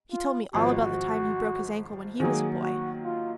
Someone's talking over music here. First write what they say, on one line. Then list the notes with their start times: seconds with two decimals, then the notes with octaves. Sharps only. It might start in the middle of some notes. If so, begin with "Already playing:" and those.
He told me all about the time he broke his ankle when he was a boy.
0.12 F4
0.54 G#1 G#2 F3 F#4
2.20 D#3 F#3 A#3 G#4
2.62 F#4
3.03 F4